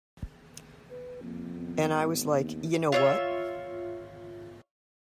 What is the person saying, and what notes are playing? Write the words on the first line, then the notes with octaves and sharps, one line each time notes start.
And I was, like, You know what?
B4
F2 A#3
B3
G#1
D#2
F4 C#5 E5